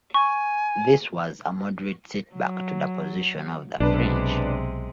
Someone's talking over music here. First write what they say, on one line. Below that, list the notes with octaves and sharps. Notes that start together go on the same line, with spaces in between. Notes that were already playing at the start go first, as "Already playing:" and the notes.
This was a moderate setback to the position of the French.
G#5 C#6
F#3
B1 C3 G#3 D4 B4